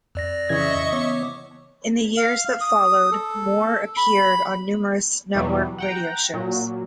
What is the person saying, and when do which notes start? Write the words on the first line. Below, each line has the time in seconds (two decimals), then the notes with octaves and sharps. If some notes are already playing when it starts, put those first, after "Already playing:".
In the years that followed, Moore appeared on numerous network radio shows.
0.15 F2 D5 A#6
0.49 C#3 E3 D#5 E5 C#6 G#6
0.92 B3 C#5 D6
2.17 F5
2.61 D#6
3.11 A4
3.97 B5
5.35 E2 B2 E3 F#3 G3
5.78 F#5 G5 A#5
6.34 A#2 F#3